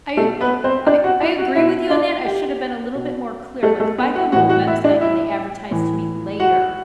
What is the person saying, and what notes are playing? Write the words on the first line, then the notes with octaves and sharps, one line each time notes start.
I agr I I agree with you on that. I should’ve been a little bit more clear. Like, if I go to a website and they advertise to me later,
B2 A3 A4
B3 B4
C4 C5
D4 D5
F#4 F#5
E4 E5
F#4 F#5
B2 E4 E5
D4 D5
G4
B2
A3 A4
A3 A4
B3 B4
F#4 F#5
A2 E3 F#4 F#5
F#4 F#5
E4 E5
D4 D5
E4 E5
A2 E3
F#4 F#5